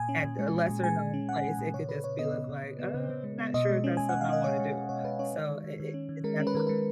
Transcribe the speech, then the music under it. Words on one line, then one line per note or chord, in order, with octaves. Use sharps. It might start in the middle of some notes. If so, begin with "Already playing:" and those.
at a lesser known place, it could just be look like, "Uh, I'm not sure if that's something I wanna do," so i it it's that.
Already playing: A#2 G#5
C#4
A#2
G#3
A#2
A#2
G#3 G#5
G#3
C#4
G#3 F#5
A#2
A#2
C#3 C#5
C#3 B4
C#3 C#5
B3 D#5
C#3
C#3
C#3
B3
C#3
C#3
G#3
B3
B2 D#5
G#3
C#4
B2 G#5
F#5
B2
F5
C#4 D#5
G#3 C#5
G#3
G#3
B2 C#5
B2 B4
C#4 C#5
G#3
D#3
D#3
D#3
C#4
D#3
G#3 A#4
C#4
B4
D#3 A#4
G#3 B4